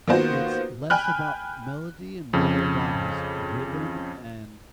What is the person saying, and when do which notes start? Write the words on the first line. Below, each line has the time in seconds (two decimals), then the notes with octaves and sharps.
It's less about melody, and more about his rhythm, and
0.08 D#3 A#3 B3 F4 F#4 C5
0.90 G5 G#5 B5 F6 F#6
2.33 F2 C#3